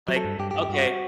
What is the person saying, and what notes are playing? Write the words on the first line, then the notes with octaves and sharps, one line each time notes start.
like, okay.
F#3
A4
G2
G2 G4
G4
G2
G4
G2 F#4